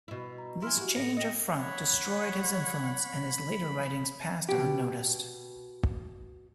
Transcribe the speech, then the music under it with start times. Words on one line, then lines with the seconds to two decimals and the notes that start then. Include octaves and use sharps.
This change of front destroyed his influence and his later writings passed unnoticed.
0.08 B2 E4
0.38 A#5
0.62 E4 G#5 C6 F6
0.77 F#4 G4
0.96 A2 A#6 C#7
1.17 D#5 G5 D#6 A#6 C#7
1.55 C#5 F#5 B5
4.49 B2 G4